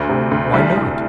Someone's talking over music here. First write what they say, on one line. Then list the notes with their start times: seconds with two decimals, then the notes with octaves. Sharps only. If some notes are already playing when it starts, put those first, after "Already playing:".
Why not?
Already playing: D2
0.09 C3
0.31 D2
0.54 C2
0.77 C2